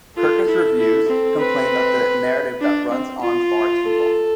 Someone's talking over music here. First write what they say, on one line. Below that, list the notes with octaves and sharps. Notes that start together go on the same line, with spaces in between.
Kirkus Reviews complained that the "narrative that runs on far too long".
F4 A4
E4
E4
C4
B4
D4
C4
F4
A4